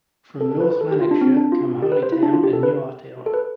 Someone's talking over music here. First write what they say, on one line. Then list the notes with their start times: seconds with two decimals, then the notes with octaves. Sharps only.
From North Lanarkshire come Holytown and Newarthill.
0.41 A4
0.52 A4
0.61 B4
0.71 B4
0.81 A4
0.91 G4
1.01 F4
1.11 D4
1.21 C4
1.37 D4
1.52 F4
1.82 G4
1.92 B4
2.03 C5
2.12 E4
2.23 D4
2.33 F4
2.44 G4
2.53 A4
2.63 B4
3.26 A4
3.34 B4